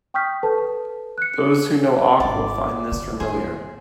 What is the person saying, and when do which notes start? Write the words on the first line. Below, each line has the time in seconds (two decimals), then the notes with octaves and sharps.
Those who know awk will find this familiar.
0.14 G5 C#6 D#6 F6 G6 B6
0.43 A4 B4 A5
1.18 F#6 C#7
2.20 G#1 D4 D5
2.92 C#3
3.20 D#2 G#4 C5 G#5